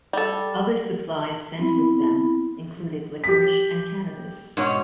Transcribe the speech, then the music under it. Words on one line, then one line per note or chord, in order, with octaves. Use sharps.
Other supplies sent with them included liquorice and cannabis.
G3 A4
B3 C4 E4 B5
G4 B6
G#2 B2 C#5